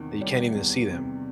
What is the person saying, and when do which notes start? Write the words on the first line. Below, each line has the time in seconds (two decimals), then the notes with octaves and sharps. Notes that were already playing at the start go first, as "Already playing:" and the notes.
that you can't even see them.
Already playing: E2 C3 D#3
0.21 G3
0.55 E2
0.91 C3